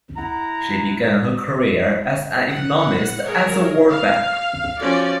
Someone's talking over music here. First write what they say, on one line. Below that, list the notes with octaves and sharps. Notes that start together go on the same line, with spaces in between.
She began her career as an economist at the World Bank.
E4 F#5 A#5
F#5
G#4 A#4 C#5
F5
F3 C#4 F#4 D5